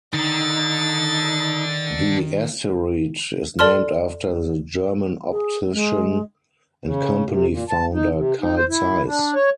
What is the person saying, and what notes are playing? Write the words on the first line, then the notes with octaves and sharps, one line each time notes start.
The asteroid is named after the German optician and company founder Carl Zeiss.
D3 D#3 D#4 A6
A4 D5 A5 C6 F6
G#4
G#3
C#3
C3
A#2
A5
D#4
C3
D#4
C5
E4
D4
C#5